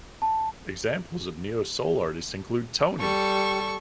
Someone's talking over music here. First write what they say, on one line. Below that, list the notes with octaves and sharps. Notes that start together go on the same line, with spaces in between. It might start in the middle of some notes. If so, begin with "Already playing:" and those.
Examples of neo soul artists include Tony!
A5
G3 A4 C#6